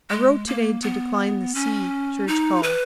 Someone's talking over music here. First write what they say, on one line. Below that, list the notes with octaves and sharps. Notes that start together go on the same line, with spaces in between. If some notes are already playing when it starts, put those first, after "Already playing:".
I wrote today to decline the C---- church call.
G#3
A#3
B3
C#4
D#4
B4